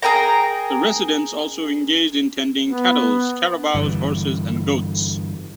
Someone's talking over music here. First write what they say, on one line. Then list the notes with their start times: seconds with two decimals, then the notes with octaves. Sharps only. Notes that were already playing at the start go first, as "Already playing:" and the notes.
The residents also engaged in tending cattles, carabaos, horses and goats.
0.02 G#4 A#4 G5 A#5
2.70 B3
3.74 G2 D3 E3